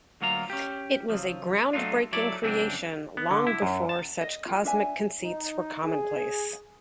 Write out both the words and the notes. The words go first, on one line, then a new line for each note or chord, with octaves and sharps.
It was a groundbreaking creation long before such cosmic conceits were commonplace.
D2 F#3 A#3 F4 A#5
C#4 G4
C#3 F3 F#3
F#3 A3 A#3 D4 D#4 F4
F#3 E4 A4 D5
F#2 C#3 E3 C4 D4
B3
D3
E4
F#2
A5
D#5
F4 G5
D4 E5 G#5
D#4
G#4